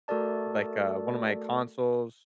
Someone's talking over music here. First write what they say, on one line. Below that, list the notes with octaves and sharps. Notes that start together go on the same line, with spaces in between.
like, uh, one of my consoles,
A3 F#4 A4 A#4 D5 A5